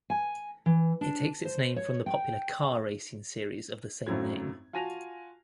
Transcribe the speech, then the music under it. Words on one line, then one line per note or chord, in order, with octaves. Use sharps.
It takes its name from the popular car racing series of the same name.
G#5
E3
D4
C5
C#5
G5
G#1 F#2 A2 F#3 G#6
F4 F#4 G#5 A5 A#6 F7